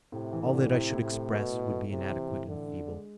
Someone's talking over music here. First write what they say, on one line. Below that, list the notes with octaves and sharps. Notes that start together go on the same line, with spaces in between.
All that I should express would be inadequate and feeble.
A2 C3
E3
D3
A2
C3 E4
A2
C3
A3
B2 A3
A2
A3
C3 E4
E3
A2
D3 E3
D4
G#3